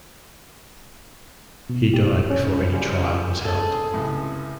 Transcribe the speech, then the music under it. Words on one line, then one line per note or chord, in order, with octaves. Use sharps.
He died before any trial was held.
B2
G4
C3
C#4
C#3 G3 C5
G#4 A4
C#2 A2 C3